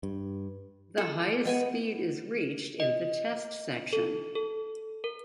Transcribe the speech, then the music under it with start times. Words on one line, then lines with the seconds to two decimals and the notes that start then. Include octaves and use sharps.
The highest speed is reached in the test section.
0.03 G2
0.98 G#4 A4
1.45 G#3 B3 G#5
2.80 D#5
3.93 A4
4.35 A4
5.04 A#4